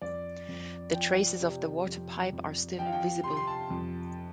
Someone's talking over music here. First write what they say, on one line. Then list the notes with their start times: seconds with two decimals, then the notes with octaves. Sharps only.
The traces of the water pipe are still visible.
0.01 F2 D5
0.49 F2
0.94 F3 G5
1.40 C3
1.87 F2
2.33 F2
2.78 F3 G5
2.86 F5
2.92 G5
3.24 C3 C6
3.37 C6
3.47 A5
3.70 F2